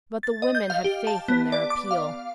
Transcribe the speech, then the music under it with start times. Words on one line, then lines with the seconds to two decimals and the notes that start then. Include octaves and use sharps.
But the women had faith in their appeal.
0.23 A6
0.42 D#5
0.55 G6
0.70 F5
0.84 G4
1.07 A5
1.28 B3
1.52 D5
1.70 D6
1.91 F5